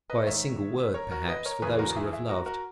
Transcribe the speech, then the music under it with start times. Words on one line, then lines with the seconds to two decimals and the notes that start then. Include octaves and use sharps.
By a single word, perhaps, for those who have loved.
0.10 B4 D#5
0.26 G#2 D#3 C#5 E5
0.94 A#4 C#5
1.11 F#4 A#4
1.28 B4 D#5
1.45 A#4 C#5
1.62 E2 C#3 E3 G#4 B4
1.78 F#4 A#4
1.96 E4 G#4
2.13 E4 G#4
2.29 F#4 A#4
2.46 F#4 A#4